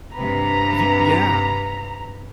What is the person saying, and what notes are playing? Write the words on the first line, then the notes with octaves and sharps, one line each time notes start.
Y yeah,
G2 C3 B4 A#5